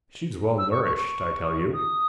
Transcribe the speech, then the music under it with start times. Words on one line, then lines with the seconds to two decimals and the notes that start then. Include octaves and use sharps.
She's well nourished, I tell you.
0.58 E6
0.71 C#6
0.84 C#6
0.96 C#6
1.73 D#6